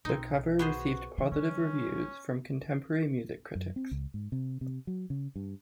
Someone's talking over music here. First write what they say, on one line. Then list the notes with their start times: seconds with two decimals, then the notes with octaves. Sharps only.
The cover received positive reviews from contemporary music critics.
0.05 B1 C4 D#4
0.59 B3 F#4 G#4 C5
1.18 E3
1.32 D3 G3 C#4
3.55 F#2
3.76 C4
3.91 C#2
4.14 G#2
4.32 C3
4.61 C3
4.87 F#3
5.10 C#3
5.36 G2